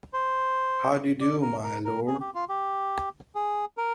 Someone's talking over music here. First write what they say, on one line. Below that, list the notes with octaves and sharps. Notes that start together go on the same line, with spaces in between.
How do you do, my Lord?
C5
D5
A#4
A#4
A#4
G#4
G4
F4
G4
G#4
A#4